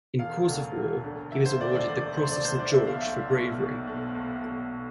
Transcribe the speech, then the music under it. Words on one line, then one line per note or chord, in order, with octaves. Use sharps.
In course of war he was awarded the Cross of Saint George for bravery.
E1 F5
D2 D3 A3
E1
D2 D3 A3
E1 E5
C5
D2 D3 A3 D5
D5
E1 D5
D2 D3 A3 C5
D5
B1 C5
D5
B2 A3 E5
F5
B1 E5
B2 A3
B1
B2 A3
B1
B2 A3